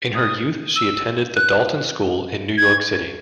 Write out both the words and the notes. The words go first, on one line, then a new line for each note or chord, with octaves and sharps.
In her youth she attended the Dalton School in New York City.
D#6
E6
F#6
G#6